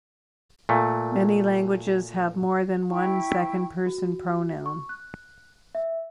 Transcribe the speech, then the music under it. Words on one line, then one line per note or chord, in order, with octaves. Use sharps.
Many languages have more than one second-person pronoun.
A#2 A3
E4 G5 C#6
F#4
C#6
F#6
E5